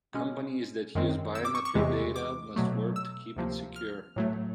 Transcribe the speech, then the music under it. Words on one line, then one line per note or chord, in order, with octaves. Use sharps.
Companies that use biometric data must work to keep it secure.
B2 G#3 C#4
F#2 D#3 G#3 C4
E6
D6
C#6
C#6
E2 C3 E3 G#3
D6
B2 F#3 A3
E6
D2 C3 F3 A#3
F6
A2 F#3 A3